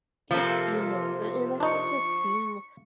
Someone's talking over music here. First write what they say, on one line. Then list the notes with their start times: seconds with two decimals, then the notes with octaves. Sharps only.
It is, an and I think just seeing,
0.31 C3 F3 A#3 A4
1.60 D4 D#4 C#6